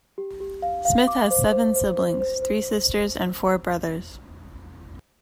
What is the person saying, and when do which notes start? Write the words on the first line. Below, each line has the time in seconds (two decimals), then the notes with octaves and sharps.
Smith has seven siblings; three sisters and four brothers.
0.18 G4
0.40 G4
0.62 F5
0.85 F5
1.08 D6
1.31 C5
1.52 C5
1.76 C5
1.97 C5
2.20 C5
2.42 C5